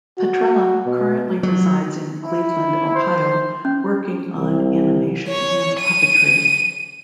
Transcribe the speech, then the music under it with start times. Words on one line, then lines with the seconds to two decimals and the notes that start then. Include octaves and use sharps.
Petrella currently resides in Cleveland, Ohio, working on animation and puppetry.
0.18 F#4
0.86 B2
1.43 F#3
2.23 E4
2.95 C5
3.65 C#4
4.36 C2
5.28 C#5
5.80 D#7